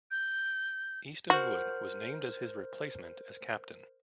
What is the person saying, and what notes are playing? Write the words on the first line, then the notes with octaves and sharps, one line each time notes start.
Easton Wood was named as his replacement as captain.
G6
F#4 A#4 C5